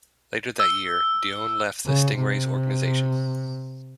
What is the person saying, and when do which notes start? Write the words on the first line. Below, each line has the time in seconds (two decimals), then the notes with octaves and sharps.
Later that year, Dionne left the Stingrays organization.
0.60 E6
1.86 C#3
2.17 C3